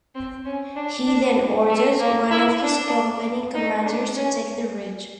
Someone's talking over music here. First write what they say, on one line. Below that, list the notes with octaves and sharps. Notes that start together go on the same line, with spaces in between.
He then ordered one of his company commanders to take the ridge.
C4
C#4
D4
D4
A3
A#3
E4
D4
D#4
D4
C#4